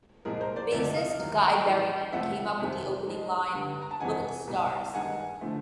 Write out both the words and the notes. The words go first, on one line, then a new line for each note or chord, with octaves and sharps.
Bassist Guy Berryman came up with the opening line "Look at the stars".
C2 A#2 F3 G#3 G#4 A#4
A#4 C5
C5 D5
D2 C3 F3 G#3 D5 E5
D#5 F5
D#2 D#3 F#3
A2 E3 G3
C#2 C3 F3 A3 E5 F#5
F2 C3 D#3 G3
G#2 F3 G#3
G2 D3 G3
A#5
A5
F2 C3 E3 G#3 F#5 G#5
C2 B2 G3
G2 D#3 G#3 F#5 G#5
D3 F3 A3